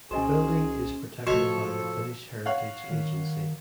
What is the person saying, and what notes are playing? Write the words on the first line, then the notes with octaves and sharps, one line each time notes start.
The building is protected by the Finnish Heritage Agency.
C2 C#4 F#4 G#4 C5 D#5 G#5
A2 C3 F3 F#4 A4 C#5 D#5 C#6
C#5 F5 F#5
D#3